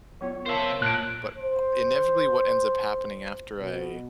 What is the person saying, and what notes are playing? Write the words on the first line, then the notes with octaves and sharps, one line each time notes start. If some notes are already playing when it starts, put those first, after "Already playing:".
But, uh, inevitably, what ends up happening after I
F#3 B3 F4 C#5
A#4 C5 E5 F5 A5
A#2 A5 F#6 D7
C5
B2